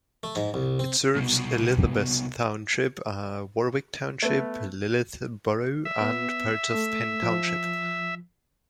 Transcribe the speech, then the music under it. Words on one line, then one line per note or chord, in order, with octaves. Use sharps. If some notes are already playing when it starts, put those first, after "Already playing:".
It serves Elizabeth Township, Warwick Township, Lititz Borough, and parts of Penn Township.
A3
G#2
C2
C4
C2 B2
A3 B3
E5
B3
A3
F3